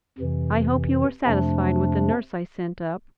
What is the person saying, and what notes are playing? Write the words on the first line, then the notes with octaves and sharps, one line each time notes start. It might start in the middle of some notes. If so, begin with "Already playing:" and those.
I hope you are satisfied with the nurse I sent up.
F2 C3 E3
F2 C3 F3 A3 D4